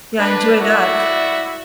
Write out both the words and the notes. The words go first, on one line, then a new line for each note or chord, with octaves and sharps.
Yeah, I enjoy that.
D4 B4
E4 F#4 D5 E5